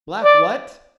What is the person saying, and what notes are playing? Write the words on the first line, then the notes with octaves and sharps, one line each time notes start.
"Black what?"
D5